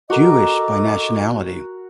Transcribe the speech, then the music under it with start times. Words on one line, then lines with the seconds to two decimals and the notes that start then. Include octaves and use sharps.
Jewish by nationality.
0.10 F#4 A4 A#4 D#5 D6